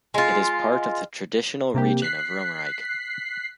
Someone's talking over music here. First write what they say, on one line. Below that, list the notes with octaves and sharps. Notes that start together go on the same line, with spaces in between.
It is part of the traditional region of Romerike.
G#3 F4
C3 A#3 G4
F#6 B6 C7